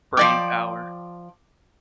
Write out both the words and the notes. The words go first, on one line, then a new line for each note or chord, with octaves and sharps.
brain power.
F3 D5 G5 D6